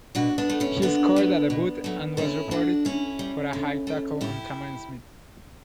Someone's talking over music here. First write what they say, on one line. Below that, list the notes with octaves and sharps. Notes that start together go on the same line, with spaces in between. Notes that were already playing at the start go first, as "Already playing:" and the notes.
He scored on debut and was reported for a high tackle on Cameron Smith.
B2 D4 F#4
B3 D4
A3
C#4 E4
D3 B3 D4
F#3 A3
B2
F#3 A3
D3 C#4 E4
A3 D4 F#4
D3 C#4 E4
G3
D3
A3
A2 E4 G4